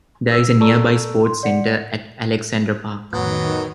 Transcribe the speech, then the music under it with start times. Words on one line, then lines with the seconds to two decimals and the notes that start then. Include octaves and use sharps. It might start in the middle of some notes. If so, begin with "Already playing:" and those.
There is a nearby sports centre at Alexandra Park.
0.28 B4 E6
0.60 A4 D5 A5 A#5 C#6 E6
1.24 C6
1.43 D5 F#5 C#7
3.13 F2 A2 D#3 F#3 B3